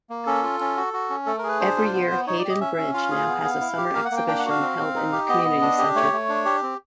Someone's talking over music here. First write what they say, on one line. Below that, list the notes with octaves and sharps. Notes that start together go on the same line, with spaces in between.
Every year Haydon Bridge now has a Summer Exhibition held in the community centre.
A#3
C#4 A4
F4
C#4
F#4
F#4
C#4
A3 A4
A#4
G#4
B4
D4 C5
F4
B3
B3
D#4 C#5
D5
G4
D#5
C#4 E5
C#4
F4 F5
G#4
B3
B3
E4
G4
A#3 F5
F#5
A#3
G5
D4 G5
F#5
F#4 F5
C4
C4
D#4
G4
B3 D#5
B3
D4
G4
A3 C#5
A3
D4
G4
C4